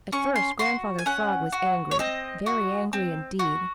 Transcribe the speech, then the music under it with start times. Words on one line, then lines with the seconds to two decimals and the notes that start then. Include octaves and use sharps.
At first Grandfather Frog was angry, very angry indeed.
0.12 C#4 C#6
0.36 C6
0.59 F#4 C6
0.99 G#5
1.06 C#4 F#5
1.52 F#4
1.91 C#5
1.99 C4 D#5
2.46 F#4
2.93 C4
3.39 F#4